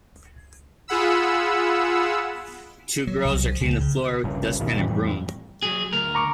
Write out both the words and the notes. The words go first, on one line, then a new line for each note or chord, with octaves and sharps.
Two girls are cleaning the floor with a dustpan and broom.
F4 G#4 F#5 B5 E6
F#3
C2
F3
C#2
C#3
G1 C2 G2 C#3
E2 B2 D#3 F3
F2 A2 E3 G3
F#3 G#4
D2 A#4
A#5 C#6 D6